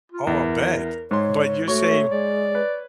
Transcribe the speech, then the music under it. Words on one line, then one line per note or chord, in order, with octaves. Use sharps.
Oh, I'll bet. But you're saying
F4
E2 A#4
G#2 C#5 C6
A3 F#4 C#5
G#3 D5
B4